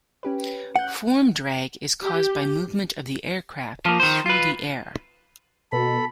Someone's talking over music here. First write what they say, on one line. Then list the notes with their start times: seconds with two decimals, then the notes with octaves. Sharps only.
Form drag is caused by movement of the aircraft through the air.
0.23 C#4 G4 B4
0.76 F#5 F#6 G6
2.03 G4
3.86 F3 A#3
4.00 D#3 C5
4.26 F4 B4
5.72 B2 A4 B5